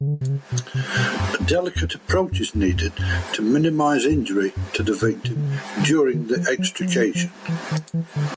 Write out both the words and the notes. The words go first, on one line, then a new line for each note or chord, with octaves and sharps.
A delicate approach is needed to minimize injury to the victim during the extrication.
C#3
D3
C3
C#3
B2
C3
B2
F#2
F2
E2
F2
F#2
E2
F2
E2
F#2
F2
F2
F#2
F#2
A#2
B2
D3
C#3
D3
D#3
F3
F#3
F#3
F3
F#3
F3
E3
D#3
E3
D3